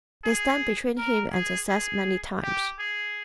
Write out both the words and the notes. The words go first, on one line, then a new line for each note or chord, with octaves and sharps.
They stand between him and success many times.
G#4
A#4
G#4
G#4
G4
G#4